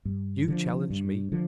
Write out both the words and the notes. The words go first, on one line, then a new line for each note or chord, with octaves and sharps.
You challenged me.
G2
D3 F3
G2
D3 F3